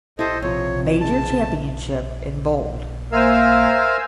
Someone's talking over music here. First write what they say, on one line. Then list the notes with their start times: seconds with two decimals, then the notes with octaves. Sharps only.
Major championship in bold.
0.19 E4 G4 A4 C5 D#5
0.42 C3 F3 C#5
1.00 C#3 A5
3.12 A#3 A#4 C5 E5 F5 G#5 E6